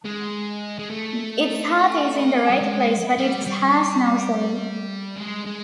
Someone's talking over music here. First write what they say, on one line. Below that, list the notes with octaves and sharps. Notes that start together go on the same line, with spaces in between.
Its heart is in the right place, but it has no soul.
G#3
G#3
A3
G3
G#3
G3
F#3
G3
G#3
G#3